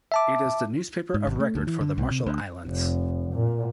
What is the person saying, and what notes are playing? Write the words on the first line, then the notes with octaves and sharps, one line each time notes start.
It is the newspaper of record for the Marshall Islands.
E5 A5 D6
G#2
G#1
A3
D2
E3
D3
C2
C3
D2
F1
A#2